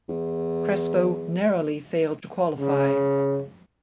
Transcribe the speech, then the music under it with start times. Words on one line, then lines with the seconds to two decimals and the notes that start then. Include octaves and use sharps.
Crespo narrowly failed to qualify.
0.09 E2
2.59 C#3